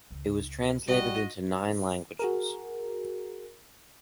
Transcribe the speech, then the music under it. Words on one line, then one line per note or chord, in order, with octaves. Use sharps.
It was translated into nine languages.
C#2 C4
A1 G3 F#4 D#5
F#4 G#4 A#4